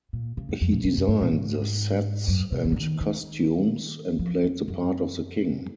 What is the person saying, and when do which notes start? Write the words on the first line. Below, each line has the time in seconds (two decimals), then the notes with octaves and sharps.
He designed the sets and costumes, and played the part of the King.
0.13 A#2
0.37 C#3
0.49 F#2
0.61 F2
0.72 A#2
0.84 C3
0.97 F#2
1.08 G#2
1.21 A#2
1.32 G#2
2.28 F#2
2.52 C3
2.65 C#3
2.72 F3
2.76 D#3
3.01 D#3
4.19 F3
4.44 F#2
4.68 F#2